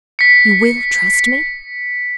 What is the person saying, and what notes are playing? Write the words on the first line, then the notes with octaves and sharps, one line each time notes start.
"You WILL trust me?"
B6 C#7